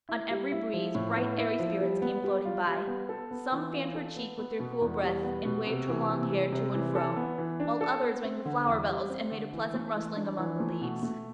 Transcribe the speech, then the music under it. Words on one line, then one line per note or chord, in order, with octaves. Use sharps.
On every breeze, bright, airy spirits came floating by; some fanned her cheek with their cool breath, and waved her long hair to and fro, while others rang the flower-bells, and made a pleasant rustling among the leaves.
E4
G3
E4
F3
A2
B3
E4
F3
G3
B3
G3
F4
G3
B3
A4
B3
E3
F4
A4
B3
B3
B2
E2
G3
B3
B2
C3
E3
C3
G3
C3
E3
A4
B3
E3
D4
A4
B3
C4
D3
E2
G3
C4
D3
E3
A3
E3
D4
E3
A3
B2
A3